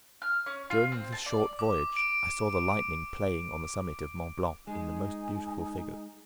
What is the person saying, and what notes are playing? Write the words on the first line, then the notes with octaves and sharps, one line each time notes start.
During this short voyage I saw the lightning playing on the summit of Mont Blanc in the most beautiful figures.
F6
C#4
F4
C4
A5
D5
D6
D7
G#3 D#4 G#5